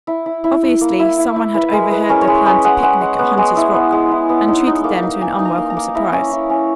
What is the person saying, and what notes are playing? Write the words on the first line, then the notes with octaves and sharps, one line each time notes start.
Obviously some one had overheard their plan to picnic at Hunter's Rock and treated them to an unwelcome surprise.
E4
E4
E4
E4
A#3
E4
E4
E4
E4 B4
G#3 A#4
G#3 B4
C#4 A#4
C#5
G#3 B4
C#4 D#5
G#3 F#5
G#3 F#5
G#3 F#5
B3
G#3
E4
B3
G#3
E4
B3
D#4
D#4
A#3
D#4
A#3 G#5
D#4
A#5
A#3
A#5
A#3
E4 A#5
C#4
E4
C#4